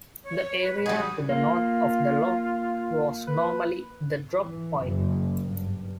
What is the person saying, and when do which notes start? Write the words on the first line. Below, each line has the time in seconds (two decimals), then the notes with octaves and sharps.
The area to the North of the loch was normally the drop point.
0.23 C#5
0.60 B4
0.86 G3 F#4 G#4
1.29 A#3 F4
3.27 B4
4.35 E3
4.80 F#1
5.43 G2